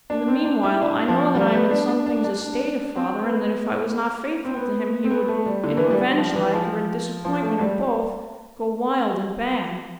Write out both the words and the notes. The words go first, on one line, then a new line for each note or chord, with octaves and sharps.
In the meanwhile I know that I am in some things a stay to father, and that if I was not faithful to him he would--in revenge-like, or in disappointment, or both--go wild and bad.'
D4
C4
D4
E4
D4
F3
G3
B3
D4
D4
D4
D4
D4
C4
B3
C4
B3
C4
B3
A3
G3
D3
E3
G3
G3
F3
E3
F3
F3
A3
G3